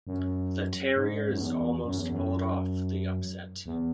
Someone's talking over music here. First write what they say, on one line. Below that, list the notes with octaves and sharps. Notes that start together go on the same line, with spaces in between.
The Terriers almost pulled off the upset.
F#2
G#2
F#2
E2
F#2
E2
F#2
E2